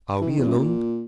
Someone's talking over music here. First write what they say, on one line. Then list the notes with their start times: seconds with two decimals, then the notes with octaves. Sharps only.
"Are we alone?"
0.21 E3
0.30 D#3
0.39 E2
0.48 F#2
0.57 A#2